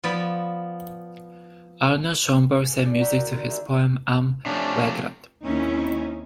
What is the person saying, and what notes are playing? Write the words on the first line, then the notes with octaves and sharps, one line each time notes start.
Arnold Schoenberg set music to his poem Am Wegrand.
F3 B3 D5 A5 B5
G#4
E4 A4 D5
F#5 G5 A#5 B5 C#6 E6
C4 F#4 A#4 B5 F#6
D3 D#3 C4
D4 G4 G#4 A#4 E5
C3 F3 A3 C#4 D4
D#2 C4 C#4 D#4 E4